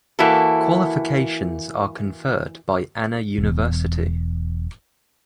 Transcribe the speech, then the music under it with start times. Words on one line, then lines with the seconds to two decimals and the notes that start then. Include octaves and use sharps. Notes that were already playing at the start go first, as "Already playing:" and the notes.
Qualifications are conferred by Anna University.
0.19 E3 A#3 E4 F#4 A4
3.38 E1 E2